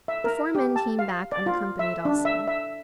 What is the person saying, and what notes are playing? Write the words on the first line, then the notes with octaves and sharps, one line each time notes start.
The four men came back unaccompanied also.
E5
A#4
G4
A5
F5
D5
F4
E5
D4
E5
E5